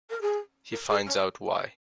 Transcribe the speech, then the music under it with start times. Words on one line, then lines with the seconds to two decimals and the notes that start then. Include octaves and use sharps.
He finds out why.
0.10 A#4
0.21 G#4
0.72 A#4
0.89 G#4
1.06 C#4